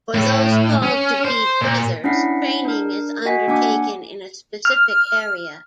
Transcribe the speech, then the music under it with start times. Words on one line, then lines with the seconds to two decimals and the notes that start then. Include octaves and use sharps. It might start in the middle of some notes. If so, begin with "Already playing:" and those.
For those called to be brothers, training is undertaken in a specific area.
0.14 A2
0.82 C#4
1.25 C5
1.61 A#2
2.04 C#4 D4 E4 F#5 B6 C7
2.65 D4 A#4
3.25 F#4 D#5 F#5 G#5 B6
3.48 A#3 D4 F#5 G#5 D6
4.65 F6